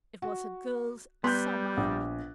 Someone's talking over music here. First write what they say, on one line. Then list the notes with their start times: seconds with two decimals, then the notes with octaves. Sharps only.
It was a girl's summer hat.
0.22 F#4
1.24 G3 B3 C6 F#6 G6
1.77 A#1